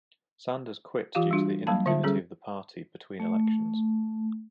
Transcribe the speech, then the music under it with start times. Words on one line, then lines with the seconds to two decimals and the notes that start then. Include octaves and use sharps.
Sanders quit due to the inactivity of the party between elections.
1.15 E3 F4 G4 F5
1.31 G3 D4 F#4
1.67 F#3 G3 A#3 F5 A5 B5
1.86 D3 F4 E5 A5
2.04 G3 C#4 G#4 A4
3.20 A3